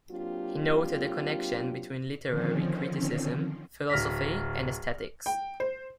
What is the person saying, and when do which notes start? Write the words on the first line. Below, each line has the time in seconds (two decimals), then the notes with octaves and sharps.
He noted the connection between literary criticism, philosophy and aesthetics.
0.11 F#3 A#3 C4 D4 F4 G4
2.27 D3 D#3 F3 C4 C#4
3.90 D1 F6 A#6 B6
5.26 G5
5.60 C5